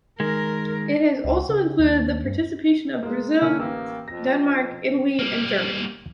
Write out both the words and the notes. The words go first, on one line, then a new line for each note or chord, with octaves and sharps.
It has also included the participation of Brazil, Denmark, Italy and Germany.
D#3 G#3 A#4
C#2
C#3
D#2
G2
G#3 A#3
D3 A#3 C#4
A1 A#3 E6
F2 A#6
G3 A#3